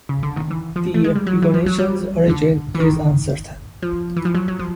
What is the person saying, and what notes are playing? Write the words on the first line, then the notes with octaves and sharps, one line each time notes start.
The epigonation's origin is uncertain.
C#3
D3
D#3
E3
F3
A3
G#3
G3
F#3
E3
F3
F#3
G3
D3
E3
D#3
F3
E3
F3
F#3
F#3
F3